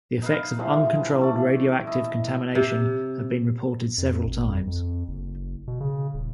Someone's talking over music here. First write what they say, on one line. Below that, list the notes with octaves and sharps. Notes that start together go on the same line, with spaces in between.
The effects of uncontrolled radioactive contamination have been reported several times.
D#4 B4 F5
E3 F3 G3 G#3
A3 D5
E4 D#5
C3
F2
G#1
F2
F2
F#1
B2
C#3
D#1